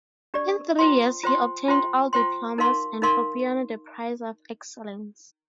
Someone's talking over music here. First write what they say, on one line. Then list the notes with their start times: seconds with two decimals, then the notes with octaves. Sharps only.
In three years he obtained all diplomas and for piano the prize of excellence.
0.34 D4 G4 D5
0.79 F4 C5 G5 C6
1.23 F4 C5 G5 C6
1.68 F4 C5 G5 C6
2.13 F4 C5 G5 C6
2.58 D#4 A#4 F5 C6
3.02 D#4 A#4 F5 C6